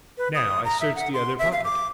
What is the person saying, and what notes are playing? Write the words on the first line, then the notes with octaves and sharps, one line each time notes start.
Now I search the other pocket....
B4
D#6
A#5
E5
F#5
C6
E5
F5
D6